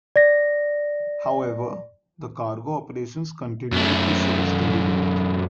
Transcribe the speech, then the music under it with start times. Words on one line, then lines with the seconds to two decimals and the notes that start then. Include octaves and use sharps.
However, the cargo operations continue to show a steady growth.
0.16 D5 A#6
3.73 F#2 A3